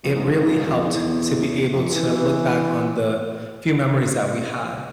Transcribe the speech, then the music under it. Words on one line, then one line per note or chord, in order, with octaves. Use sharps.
it really helped to be able to look back on the few memories that we had,
F2
G#2
F2
G#2
F2
G#2
F2
E2
F2
E3
E3